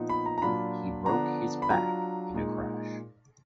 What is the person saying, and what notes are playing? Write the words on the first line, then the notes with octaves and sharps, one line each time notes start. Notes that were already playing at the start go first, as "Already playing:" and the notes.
He broke his back in a crash.
Already playing: A#2 F3 B3 D#4
B5
A#5
A#5
A#2 F#3 D4 F4 B5
D3 F3 B3 D4 A#5
B5
F#3 D4 F4 A#5
A#2 G#3 D#4